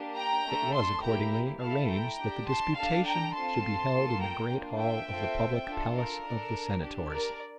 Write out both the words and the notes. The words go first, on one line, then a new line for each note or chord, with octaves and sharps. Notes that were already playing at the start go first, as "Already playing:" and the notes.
It was, accordingly, arranged that the disputation should be held in the great hall of the public Palace of the Senators.
Already playing: A#3 D4 G4
G5 A#5
A3 D4 A4
A5 C6
A#3 E4 G4 G5 A#5
A3 E4 A4 F5 A5
G5 A#5
D4 G4
A5 C6
D4 A4 F5 A5
G5 A#5
C4 F4 A4 A5 C6
A#3 F4 A4
G5 A#5
A#3 D4 F4
E5 G5
C4 F4 A4
D4 F4 A4
A#4
D4 A4
D4 G4
A#4 D5